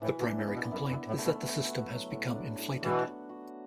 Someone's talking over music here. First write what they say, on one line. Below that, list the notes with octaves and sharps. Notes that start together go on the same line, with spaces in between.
The primary complaint is that the system has become inflated.
A2 E3
B2
D4
A2
B3
B2
F#2 E4
F#2
E4
A2
A3
B2
B3
F#4
F#3
A2
D4
A2
B2 E3 B3
F#4
F#4